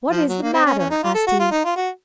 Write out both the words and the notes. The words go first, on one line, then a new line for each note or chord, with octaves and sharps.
'What is the matter?' asked he.
F3
F#3
A#3
C4
C#4
C#4
D#4
F4
A4
F#4
F4
D#4
F4
F#4